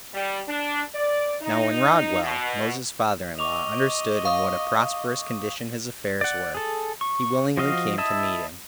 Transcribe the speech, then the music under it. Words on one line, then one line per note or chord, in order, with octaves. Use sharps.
Now when Raguel, Moses's father-in-law, understood in what a prosperous condition his affairs were, he willingly came to meet him.
G3
D4
D5
D#4
B2
D#5 C#6 D6 F7
F5 C#6 D#6
D5 F#5
G#4 A4
C#6
F3 F#4 D#5 F5
E4 D#5 E5 A5 D#6